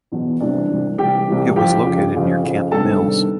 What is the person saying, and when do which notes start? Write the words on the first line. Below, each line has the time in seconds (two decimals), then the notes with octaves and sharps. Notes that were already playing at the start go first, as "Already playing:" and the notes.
It was located near Camp Mills.
0.12 E2 B2 F#3
0.40 C2 C3 E3 D4 D5
0.69 C2 C3 E3
0.98 C2 C3 E3 G4 G5
1.27 C2 C3 E3
1.56 F2 C#3 F3 G4 G5
1.85 F2 C#3 F3
2.14 F2 C#3 F3
2.43 F2 C#3 F3
2.72 C3 D#3 G3 B3 D4 A4 A5
3.00 C3 D#3 G3 B3 D4